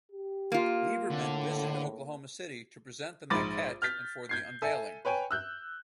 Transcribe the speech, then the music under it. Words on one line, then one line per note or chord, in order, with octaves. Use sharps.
Liberman visited Oklahoma City to present the maquette and for the unveiling.
G4
A#3 F4
A2 D3
A#1 G#2 B5 D6 A6
F6 G6 A6 B6
G6 G#6 C7
A4 E5 G#5
B4 C#5 G5 G#5
E6 F#6 G6